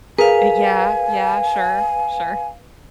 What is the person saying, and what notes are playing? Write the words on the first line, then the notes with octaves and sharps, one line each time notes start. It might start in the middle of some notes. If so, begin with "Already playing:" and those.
Eh, yeah, yeah. Sure, sure.
G#4 A#4 B4 F5 G#5